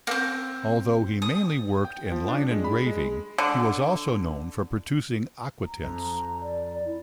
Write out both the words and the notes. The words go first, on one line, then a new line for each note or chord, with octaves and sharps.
Although he mainly worked in line engraving, he was also known for producing aquatints.
A#3 C4
D#6
G5
F3
D4
G#3
B5
G#3
D3
A#5
F2
D5
E4